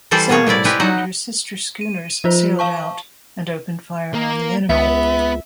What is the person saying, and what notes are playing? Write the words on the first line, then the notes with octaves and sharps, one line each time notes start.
"Somers" and her sister schooners sailed out and opened fire on the enemy.
E3 G3 A4 C5 D5
B2 A#3 G#4 C#5
A2 C3 E4 D5
G#3 E4 G4 B4
F#3 D#4 F#5
D#7
F3 F4 C5
F5 A5 C#6
A#3 A#4
C#2 B3 E5